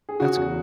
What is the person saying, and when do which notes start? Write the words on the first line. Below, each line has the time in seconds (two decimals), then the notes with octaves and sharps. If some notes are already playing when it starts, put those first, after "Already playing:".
That's good.
0.09 G#4
0.20 C#3 F#4
0.37 E2